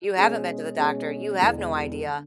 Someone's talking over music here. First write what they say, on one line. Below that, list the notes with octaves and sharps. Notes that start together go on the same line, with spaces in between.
You haven't been to the doctor, you have no idea,
B2 G#3 C#4 G#4
B2 G#3 C#4 G#4
E1 E2 D3
D3